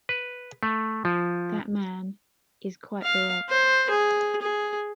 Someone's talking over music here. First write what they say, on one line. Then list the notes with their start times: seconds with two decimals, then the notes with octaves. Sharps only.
That man, is quite baroque...
0.09 B4
0.63 A3
1.05 F3
3.03 F5
3.49 C5
3.90 G#4
4.41 G#4